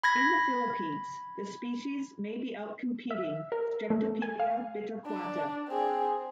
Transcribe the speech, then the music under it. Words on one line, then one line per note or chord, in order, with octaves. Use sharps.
In the Philippines, the species may be outcompeting "Streptopelia bitorquata".
B5 G#6 A#6
E5
A#4
A3
G#5
F5
D4
C4 G#4